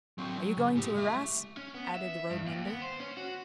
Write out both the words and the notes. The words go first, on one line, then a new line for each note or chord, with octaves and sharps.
"Are you going to Arras?" added the road-mender.
F#3 C4
F#3
C#3
A2 G4
G#3 E5
C#4
B3
E5
G2
D#2
B3
C5
C#4
F#4